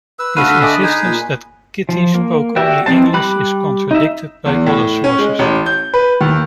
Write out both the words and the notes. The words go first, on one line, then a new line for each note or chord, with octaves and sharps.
His insistence that Kitty spoke only English is contradicted by other sources.
B4 E6
D2 F#4 A4 F5 B5 F#6 D#7
D3 F#6 B6
A3 D5 D#5 G#5
D#4 G#4
A#2
F3
A#3
F#4 G4 D5 E5
E3 G#3 C4 C5 A5
G3 B5 D6 F#6
D#4 E5
E2
A2
C#4
G#3
A1
G6
B4
D#2